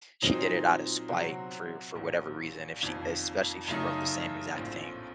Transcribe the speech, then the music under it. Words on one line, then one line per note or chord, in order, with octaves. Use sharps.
she did it out of spite for for whatever reason if she especially if she wrote the same exact thing
A#2 F#3 C4 D#4
C3 F#3 C4 F#4
A#1 A2 F#3
F1 F2 D#3 A#3
F#2 C#3 A3 D#4
A#1 A2 F3 C4